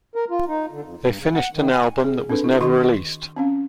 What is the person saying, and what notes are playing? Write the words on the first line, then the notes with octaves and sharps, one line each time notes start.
They finished an album that was never released.
A#4
F4
D#4
D3
F2
G2
C#3
F#5
D#3
G#5
G#4
C4 D4 A4 B4
E4
D#3 F#4 D#5 C6 C#6
C4 C#4 F5